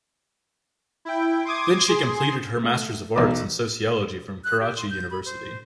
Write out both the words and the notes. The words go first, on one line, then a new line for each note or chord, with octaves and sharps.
Then she completed her Masters of Arts in Sociology from Karachi University.
E4 G5
C6 D6 D#6 G#6
G#4 C6
A3
B1 E2 B4 D6
F#6
G4
C6
G6
B5
C5